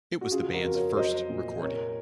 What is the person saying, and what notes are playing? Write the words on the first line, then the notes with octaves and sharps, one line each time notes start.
It was the band's first recording.
F#4
C#3 F4 G#4
F#4 A#4
F2
A#4 C#5
F#3 C5 D#5
A#2
C3 A#4 C#5